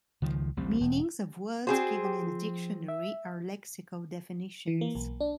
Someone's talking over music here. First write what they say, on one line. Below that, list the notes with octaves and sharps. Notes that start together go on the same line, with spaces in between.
Meanings of words given in a dictionary are lexical definitions.
C#2 D#3 F3
A1 D2 G3 C4
E1
C4 F#4 G#4 C5
G4
F3
E5
E3
A#3
B1
D4